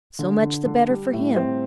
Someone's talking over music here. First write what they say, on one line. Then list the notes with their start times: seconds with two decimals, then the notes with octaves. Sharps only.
So much the better for him.
0.19 D3
0.42 D3
0.66 D3
0.89 G3
1.13 A2
1.36 C4